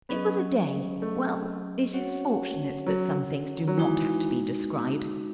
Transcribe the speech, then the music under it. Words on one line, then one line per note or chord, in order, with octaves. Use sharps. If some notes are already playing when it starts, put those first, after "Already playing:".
It was a day--well, it is fortunate that some things do not have to be described.
F#3 B3 C#4 G#4 D#5
A3
C#4 F#4 C#5 F#5
F#3
F#3
E3 G#3 D#4 F#4